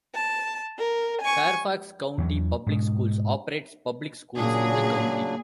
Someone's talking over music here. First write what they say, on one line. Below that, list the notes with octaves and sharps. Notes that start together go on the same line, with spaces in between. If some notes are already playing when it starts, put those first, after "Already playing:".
Fairfax County Public Schools operates public schools in the county.
A5
A#4
G#5 C#6
E2 E3 F#3
G#2 B2
A#2 C#3 F#3 D4 G#4